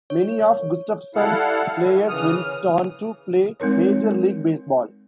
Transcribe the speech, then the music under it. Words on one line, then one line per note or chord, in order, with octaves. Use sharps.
Many of Gustafson's players went on to play Major League Baseball.
C#5
G3 E4 A4 F5 F#5
D#3
C#3 E3 D#6 F6
G#3 C4 D#4 A#4 C#5